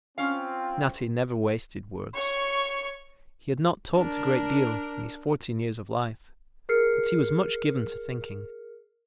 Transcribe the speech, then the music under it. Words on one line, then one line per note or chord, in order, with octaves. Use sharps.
Natty never wasted words. He had not talked a great deal in his fourteen years of life, but he was much given to thinking.
C4 C#4 F4 F5
C#5 C#6
D4 A#4
G#4 A#4 F6 C7 C#7